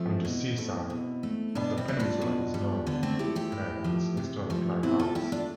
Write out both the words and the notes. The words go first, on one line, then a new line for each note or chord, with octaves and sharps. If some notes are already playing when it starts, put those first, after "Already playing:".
On the sea side of the peninsula is Norah Head and its historic lighthouse.
Already playing: F3 A3 C4 E4
B2
A3
B2
A3
B2 B3 D4
C4 E4
G3
D4 F4
B2
G3
D3 B3
A3 C4
F3 A3 E4 G4
E4 G4
A2
F3 A3
C3
F3 A3
B2 C4 E4
F4 A4
A3 E4 G4
D4 F4